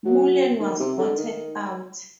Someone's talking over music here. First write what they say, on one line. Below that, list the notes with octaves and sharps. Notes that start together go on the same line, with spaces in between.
Mullen was voted out.
F#3
D#3
C3
D3
D#3